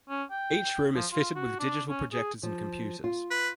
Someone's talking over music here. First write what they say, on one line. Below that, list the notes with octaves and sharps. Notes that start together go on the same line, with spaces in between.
Each room is fitted with digital projectors and computers.
C#4
G5
F3
F4
F#4
D4
C#4
G#4
F3
F4
B4